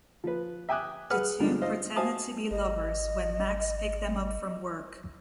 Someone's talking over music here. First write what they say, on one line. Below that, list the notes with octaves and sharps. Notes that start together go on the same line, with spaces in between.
The two pretended to be lovers when Max picked them up from work.
F3 B4
E5 G5 G#5 D6 D#6 F#6
G#4 B4 F#5 F6
D3 F3 G3 G#3 D4 D#4
F4 C5 D#5 F5
F#4 C5 F5 G#5 A5 D#6
G#1 D#5